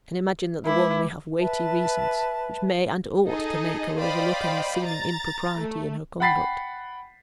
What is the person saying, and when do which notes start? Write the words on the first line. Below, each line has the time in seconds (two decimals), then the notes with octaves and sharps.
I can imagine that the one may have weighty reasons, which may and ought to make her overlook any seeming Impropriety in her conduct.
0.66 G#3 E4 B4 D6
1.38 B4 E5 A5
3.27 D#4 G#4 A4 D#5
3.99 C5 D5 D#5 F5 G5 B5
4.83 A#5 A6
5.59 A3
6.20 F#5 G5 B5 A6 B6 C7